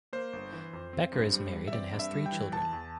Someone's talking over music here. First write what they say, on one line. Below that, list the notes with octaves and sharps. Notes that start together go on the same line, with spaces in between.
Becker is married and has three children.
A#3 C5
G1
E3
F2
C4
G2
G3
E3
E5
C4 D5
G2
E5
G3
G5
E3
E2 A5
E2